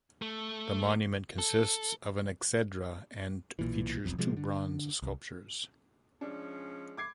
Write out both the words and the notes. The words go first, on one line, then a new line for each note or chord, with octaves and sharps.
The monument consists of an exedra and features two bronze sculptures.
A3
A4
B1 A#2 E3
E1 B1 F2
C3 F3 G#3
D3
C2
F3 G#3 C#4 D4
D6 G#6 C7